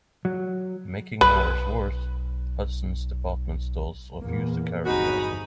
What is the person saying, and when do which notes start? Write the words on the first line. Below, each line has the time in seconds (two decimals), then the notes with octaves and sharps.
Making matters worse, Hudson's department stores refused to carry the album.
0.25 F#3
1.21 B1 B4
4.23 E2 A#2 A#3
4.85 G1 C3 F#3 D#4 F#4 G#4 B5